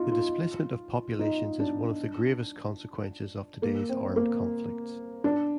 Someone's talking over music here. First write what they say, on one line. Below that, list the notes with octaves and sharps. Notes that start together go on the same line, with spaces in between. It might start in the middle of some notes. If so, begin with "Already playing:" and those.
The displacement of populations is one of the gravest consequences of today's armed conflicts.
Already playing: D#4 F4
F4
D#4
D4
A#3
C4
A#3
D4